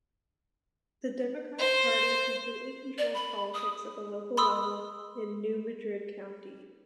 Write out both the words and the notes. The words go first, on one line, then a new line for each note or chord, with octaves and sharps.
The Democratic Party completely controls politics at the local level in New Madrid County.
C5
D5
B5
D#6
B5 C6 D#6 E6